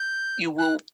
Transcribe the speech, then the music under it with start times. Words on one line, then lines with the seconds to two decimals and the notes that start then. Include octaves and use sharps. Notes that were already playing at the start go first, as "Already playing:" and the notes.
you will,
Already playing: G6
0.58 F#6